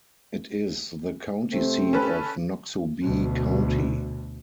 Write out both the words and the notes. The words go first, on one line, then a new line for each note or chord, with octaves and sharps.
It is the county seat of Noxubee County.
C3 A3 C4
C#4 A4 B4
D2 B2